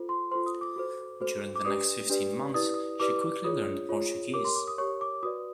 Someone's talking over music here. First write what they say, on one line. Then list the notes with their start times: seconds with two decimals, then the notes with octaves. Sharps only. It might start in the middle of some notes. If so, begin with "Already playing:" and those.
During the next fifteen months, she quickly learned Portuguese.
Already playing: F4 A4 C5
0.09 C6
0.31 F4 A4 C5 C6
0.46 D#6
0.61 D6
0.76 F#4 A4 C5
1.21 F#4 A4 C5
1.56 D6
1.65 D4 G4 B4 D5 D#6
2.10 D4 G4 B4 D5
2.54 E4 G4 B4 D5 D#6
2.74 D#6
3.00 E4 G4 B4 D5 D6
3.44 F4 G#4 C#5 D#6
3.89 F4 G#4 C#5
4.33 G4 A#4 C#5 D6
4.45 C6
4.56 D6
4.67 D#6
4.78 G4 A#4 C#5 C#6
5.01 D6
5.23 F#4 B4 D5 D#6